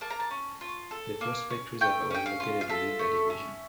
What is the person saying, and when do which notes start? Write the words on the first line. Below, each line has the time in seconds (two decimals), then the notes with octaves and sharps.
The Prospect Reservoir was located within the Division.
0.01 A#3 A5
0.10 A#5
0.20 A5
0.31 C#4
0.61 F4
0.91 A4
1.21 A#3
1.50 C#4
1.81 A3 G5
2.11 C#4 G5
2.26 F5
2.40 F4
2.61 F5
2.69 A4 E5
2.99 A3
3.30 C#4